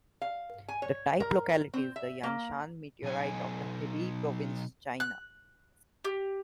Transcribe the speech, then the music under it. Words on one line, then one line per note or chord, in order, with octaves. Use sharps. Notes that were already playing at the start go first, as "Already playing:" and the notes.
The type locality is the Yanshan meteorite of the Hebei Province, China.
F5
G#5
C#5
A#4
C4
E5
A#3
B1 G#5
F#6
G4